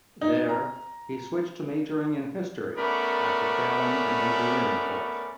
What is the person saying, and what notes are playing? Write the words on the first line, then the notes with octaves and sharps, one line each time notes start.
There, he switched to majoring in History after failing an engineering course.
D#4
A#5
A3 B3 C#4 A#4 D5 B5